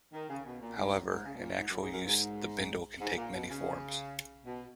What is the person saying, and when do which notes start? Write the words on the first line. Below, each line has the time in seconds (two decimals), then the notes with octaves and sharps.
However, in actual use the bindle can take many forms.
0.13 D#3
0.29 C#3
0.45 B2
0.61 A#2
0.77 G#2
0.93 F#2
1.09 G#2
1.25 C#3
1.35 B2
1.41 A#2
1.57 G#2
1.69 F#2
1.81 G#2
1.93 F#2
2.05 G#2
3.01 G#2
3.17 A#2
3.33 B2
3.49 C#3
4.45 B2